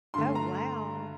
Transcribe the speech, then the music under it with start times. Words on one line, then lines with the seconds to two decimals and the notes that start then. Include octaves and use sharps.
Oh, wow.
0.14 G2 D3 A3 C6
0.35 A#5